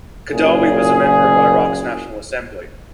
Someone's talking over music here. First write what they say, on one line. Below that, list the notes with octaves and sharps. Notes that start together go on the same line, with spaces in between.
Khadawi was a member of Iraq's National Assembly.
F#1 A#2 G#4